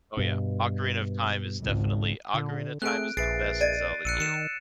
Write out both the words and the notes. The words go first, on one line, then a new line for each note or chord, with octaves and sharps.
Oh, yeah, Ocarina of Time is definitely Ocarina of Time is the best Zelda game.
G2 B2
G#1 C#2
A#2 D3
A3 C4 G#4 A4 F#6 D7
A#1 G#4 B4 E5 A6 C7 D7
D5 D#5 A6 D7 D#7
A#1 E6 F#6 C#7 D#7
D#3 C#7 E7